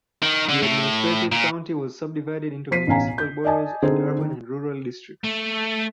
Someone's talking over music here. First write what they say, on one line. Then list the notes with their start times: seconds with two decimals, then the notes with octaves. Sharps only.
The administrative county was subdivided into municipal boroughs and urban and rural districts.
0.22 D#3
0.49 D3
0.63 A2
1.32 A#2
2.71 F3 C5 B6 C7 D#7
2.87 A1 B2 C#4 F5 G#5 A#5
3.18 G6
3.45 D5 D#5 G#5 A5
3.82 D3 C4 D#4 G#4 C5
4.19 D#3
5.24 A3